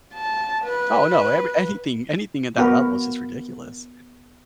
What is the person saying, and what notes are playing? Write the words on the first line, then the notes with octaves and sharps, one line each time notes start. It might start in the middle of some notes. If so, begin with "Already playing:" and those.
Oh, no, every anything- anything at that level is just ridiculous.
A5
B4
B3 F#4 A#4 B4